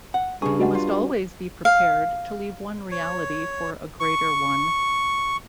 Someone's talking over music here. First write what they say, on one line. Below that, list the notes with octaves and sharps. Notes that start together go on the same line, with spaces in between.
You must always be prepared to leave one reality for a greater one.
F#5
G2 C#3 G#4 C#6
F#4 D#5 F#5
F4
F5
C#5
C#6